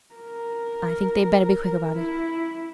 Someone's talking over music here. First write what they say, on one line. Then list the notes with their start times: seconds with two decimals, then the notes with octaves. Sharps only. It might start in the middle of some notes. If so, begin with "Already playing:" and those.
I think they'd better be quick about it.'
0.14 A#4
1.93 E4